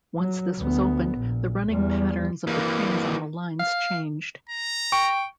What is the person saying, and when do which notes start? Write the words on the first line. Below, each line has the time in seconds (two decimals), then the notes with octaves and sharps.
Once this was opened, the running patterns of the trains on the lines changed.
0.18 F#3
0.60 D2 B3
1.17 A#1
1.69 E2 G3
2.47 E3 A#3
3.59 F5
4.50 A#5
4.92 G5 C#6